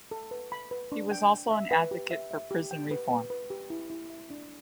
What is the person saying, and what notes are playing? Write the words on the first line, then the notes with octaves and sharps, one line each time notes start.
He was also an advocate for prison reform.
A4
B4
B5
B4
D4
G5
G5
E5
B4
G4
E5
E5
G4
G5
B4
B4
B4
G4
E4
E4
E5
D4